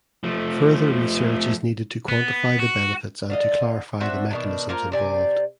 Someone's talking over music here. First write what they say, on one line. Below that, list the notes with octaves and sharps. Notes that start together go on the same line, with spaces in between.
Further research is needed to quantify the benefits and to clarify the mechanisms involved.
F3 A3
B3
F#4
D3 F4 D#5
C4 D4 F#4 E5
B2 D#3 D4
A#3 F4 A#4 C5
C3 D5 G#5